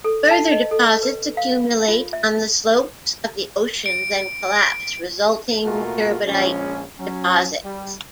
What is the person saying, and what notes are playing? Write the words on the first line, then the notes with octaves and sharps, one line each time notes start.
Further deposits accumulate on the slopes of the oceans and collapse resulting Turbidite deposits.
A4
A5
D#5
A4
B4
F5
F4
E5
D7
B2 A3 A#3 F4 F#4 A#4
A#1 F3 G#3 C#4
F#3 C#4
G3